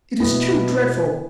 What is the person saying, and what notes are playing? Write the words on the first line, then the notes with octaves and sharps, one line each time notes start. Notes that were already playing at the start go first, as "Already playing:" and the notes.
It is too dreadful!
B2 B3 E4